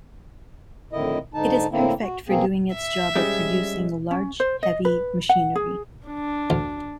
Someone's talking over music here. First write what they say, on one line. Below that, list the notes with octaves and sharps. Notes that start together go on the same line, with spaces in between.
It is perfect for doing its job of producing large, heavy machinery.
F2 A2 D3 D#3 E4 D#5
G#2 D3 D#4 A5
A2 D3 A#3 C4 E4
F#4
B2 A#3 C4 G#4
E5
G3 G#3 C#4
C#4
C5
D#5
B4
F#5
G#4
D4
D2